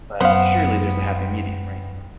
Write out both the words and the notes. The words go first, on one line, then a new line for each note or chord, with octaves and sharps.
But surely there's a happy medium, right?
F#2 B3 C4 C5 F5